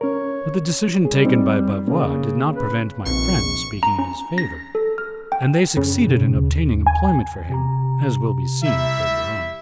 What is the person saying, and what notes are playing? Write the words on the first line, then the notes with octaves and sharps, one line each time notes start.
But the decision taken by Bavois did not prevent my friends speaking in his favour, and they succeeded in obtaining employment for him, as will be seen further on.
C#4 A#4 C#5
G3 G#4
C4 D#4
C#3 A#3 C#4
B4
A#1 C3 D#3 C#6
A#5
C#4
A#6
A4
F6
G5
F#2 C#3
B2
D#2
G#5
C3 G4 A#5
G3 E4 E5